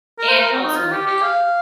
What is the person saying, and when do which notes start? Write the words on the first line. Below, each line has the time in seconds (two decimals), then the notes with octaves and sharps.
and also in the kitchen.
0.19 A#4
0.28 C5
0.40 A#4
0.52 C4
0.64 D#4
0.76 F4
0.91 G4
1.06 G4
1.22 F5